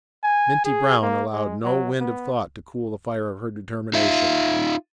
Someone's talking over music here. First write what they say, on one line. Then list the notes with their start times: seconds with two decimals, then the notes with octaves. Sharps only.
Minty Brown allowed no wind of thought to cool the fire of her determination.
0.23 G#5
0.65 G#4
1.02 A#3
1.33 G#3
1.65 F#3
2.00 B3
3.93 D#4 F4 E5